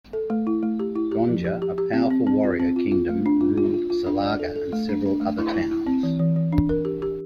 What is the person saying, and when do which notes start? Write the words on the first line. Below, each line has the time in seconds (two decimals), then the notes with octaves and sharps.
Gonja, a powerful warrior kingdom, ruled Salaga and several other towns.
0.13 A4
0.30 A3
0.47 E4
0.63 A3
0.79 G4
0.96 E4
1.12 G4
1.29 F3
1.45 G4
1.62 G4
1.78 G4
1.93 C4
2.10 C4
2.27 C4
2.44 F4
2.60 C4
2.76 F4
2.92 F4
3.09 A3
3.26 D4
3.41 F4
3.58 F4
3.74 F4
3.90 F4
4.06 D4
4.23 D5
4.39 A4
4.56 A4
4.73 A3
4.89 D4
5.06 D4
5.21 A3
5.38 E4
5.54 E4
5.71 E4
5.87 C4
6.03 E3
6.19 E3
6.36 E3
6.52 D4
6.69 A#4
6.85 G4
7.02 G4